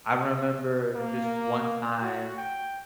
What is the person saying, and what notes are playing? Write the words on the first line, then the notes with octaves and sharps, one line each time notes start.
I remember just one time,
A#3
F#4
G5